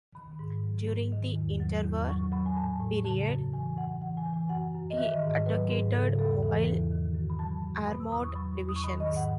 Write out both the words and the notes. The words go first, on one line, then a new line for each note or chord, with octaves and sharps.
During the interwar period, he advocated mobile armoured divisions.
D#3 B5
G#2
F#3
G#2
D#3
E2
F#3
E2
F#3 C#6
F#3 B5
G#5
A2 A5
A2
C#3 A5
F#2
E3 G#5
F#2 F#5
E3 F#5
G#5
E3
G#5
F#2 F#5
F#2
D#5
D#3 E5
D#5
G#2
D#5
F#3 B4
G#2
C#3 A4
E2 A4
E3
E2
D#3
F#2
B5
F#3 A5
F#2
B2 B5
E6
E2 D#6
C#6
F#3 B5
E2
D#6
C#6
D#3 B5
D#5
G#2
F#5